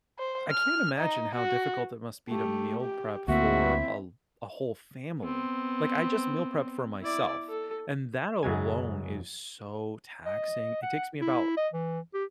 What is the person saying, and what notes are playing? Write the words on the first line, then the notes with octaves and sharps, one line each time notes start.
I can't imagine how difficult it must be to meal prep for a l a whole family, like, I just meal prep for myself, and that alone is so taxing. It takes me about
C5
F6
D#4
F#4
A3 G4
G4
D2 A#3 C4 E4 F#4 E5
B3 C4
E4 D5
A4
F#2 C#3 G#3 G#5
D#5
F#5
E4
D#5
E3
G4